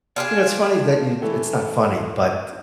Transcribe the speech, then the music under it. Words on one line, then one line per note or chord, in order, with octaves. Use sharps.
You know, it’s funny that you it’s not funny, but
D4 F4 G4 G#4
E3 A3 A4